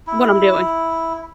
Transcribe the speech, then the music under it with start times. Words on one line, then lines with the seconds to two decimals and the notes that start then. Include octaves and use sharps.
what I'm doing.
0.07 E4